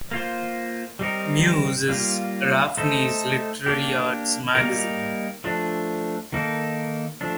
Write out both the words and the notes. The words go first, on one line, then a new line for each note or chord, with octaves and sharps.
"Muse" is Arapahoe's literary arts magazine.
A#3 F4 C5
G3 C4 D#4 A#4
G3 A#3 F4
A3 D#4 A4 C5
A#3 D4 G4
G3 A#3 D#4 A#4
F3 A3 D4
D#3 A#3 D#4 A4
F3 A3 D4